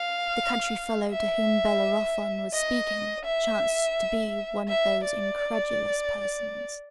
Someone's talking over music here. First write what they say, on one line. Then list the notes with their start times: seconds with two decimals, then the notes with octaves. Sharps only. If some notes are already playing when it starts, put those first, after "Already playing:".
The country fellow to whom Bellerophon was speaking chanced to be one of those incredulous persons.
Already playing: F5
1.11 E5
2.54 D#5
3.25 E5
4.68 E5
5.04 D5